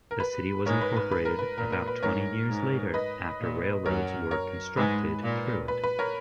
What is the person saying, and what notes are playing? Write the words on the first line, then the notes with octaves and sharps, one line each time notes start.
The city was incorporated about twenty years later after railroads were constructed through it.
A#4
B4
G#2 G#3 A#4 C#5
B4
B4
B4
A#4
B4
A#2 A#4
A#4
B4
G#2 A#4 C#5
G#2
B4 D#5
A#2
F#2 F#3 A#4 C#5
A#4 C#5
G#2 G#3 B4
A#2 A#3
B4
B4
A#4 C#5